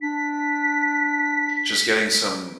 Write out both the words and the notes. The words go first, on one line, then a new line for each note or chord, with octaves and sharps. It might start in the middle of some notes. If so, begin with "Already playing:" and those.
just getting some
D4 B6